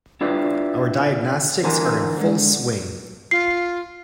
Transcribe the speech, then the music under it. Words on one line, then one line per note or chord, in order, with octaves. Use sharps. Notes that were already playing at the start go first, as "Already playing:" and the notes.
Our diagnostics are in full swing.
D4 E4 F4 G4 B4 D5
D3 E3 A#4 C5 G#5
D3 G#3
F4 C7